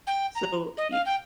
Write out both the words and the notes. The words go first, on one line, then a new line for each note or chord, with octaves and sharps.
So, y
G5
A#5
D#5
F5
G5